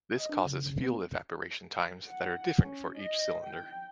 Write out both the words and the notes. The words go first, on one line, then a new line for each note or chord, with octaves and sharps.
This causes fuel evaporation times that are different for each cylinder.
D#5
D4
C#3
C#3
B3
F#5
C#4
D#5
G5